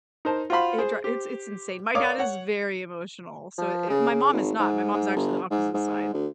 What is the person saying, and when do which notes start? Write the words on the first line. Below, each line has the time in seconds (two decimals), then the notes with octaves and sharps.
it dri it's it's insane. My dad is very emotional. So, eh, my mom is not. My mom's actually the opposite side.
0.25 D#4 A#4 C5 A5
0.50 F4 F#4 C5 F5 B5 C6
0.78 G#4 C5
1.04 G4 C5
1.95 A#4 C#5 D5 F5 D6 D#6
2.18 C#5 F#5
3.58 F3
3.90 C#3
4.11 C#3
4.33 G#1
4.59 G#2
4.94 G#2
5.16 G1
5.51 G#2
5.74 G#2
6.14 D2